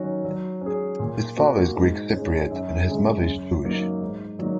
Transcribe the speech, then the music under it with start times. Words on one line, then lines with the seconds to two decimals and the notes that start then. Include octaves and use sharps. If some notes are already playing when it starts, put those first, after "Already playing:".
His father is Greek Cypriot and his mother is Jewish.
Already playing: D#3 F#3 C#4 F#4
0.25 F#3
0.61 C#4 G#4
0.99 A#2
1.37 A#3 F#4
1.75 G#2
2.13 G#3 C#4
2.50 F#2
2.88 C#3 G#3
3.26 F#2
3.64 F#3 A#3 D#4
4.01 G#2
4.39 F#3 A#3 D#4